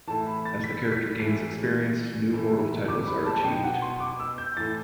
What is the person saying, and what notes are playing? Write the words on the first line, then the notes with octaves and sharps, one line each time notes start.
As the character gains experience, new mortal titles are achieved.
A2 E3 A5
B5
A6
B6
B6
A2 E3 C7
A2 E3
D6
B5
A5
A5
B2 G5
F#5
C6
D6
E6
G6
A2 E3 A6